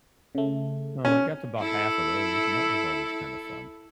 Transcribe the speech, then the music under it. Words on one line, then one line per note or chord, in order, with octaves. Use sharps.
Uh, I got to 'bout half of those, and that was always kinda fun.
C#3 A3
C#4
E4 A4